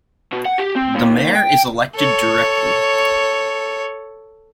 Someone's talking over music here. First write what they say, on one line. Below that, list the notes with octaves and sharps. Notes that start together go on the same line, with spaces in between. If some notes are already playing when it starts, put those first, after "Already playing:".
The mayor is elected directly.
B2
F#5
G4
C4
D#2
G5
A4 C#5